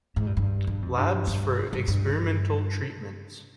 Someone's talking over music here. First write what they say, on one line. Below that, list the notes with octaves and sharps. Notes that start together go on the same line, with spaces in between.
Labs for experimental treatments.
G#2
G2
G2
G2
F2
G2
G2
G2
G2